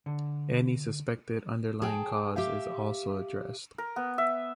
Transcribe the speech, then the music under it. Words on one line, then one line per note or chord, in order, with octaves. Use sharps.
Any suspected underlying cause is also addressed.
D3
G#4 G5 A5
G4 E5 F5
A#4
B3
E5